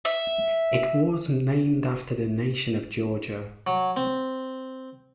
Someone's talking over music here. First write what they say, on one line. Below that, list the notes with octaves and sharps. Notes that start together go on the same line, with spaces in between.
It was named after the nation of Georgia.
E5
F#3
C4